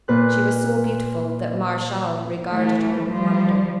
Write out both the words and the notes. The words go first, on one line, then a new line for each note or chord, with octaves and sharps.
She was so beautiful that Martial regarded her with wonder.
A#2 B4 F#6
E3 A3
F3 G3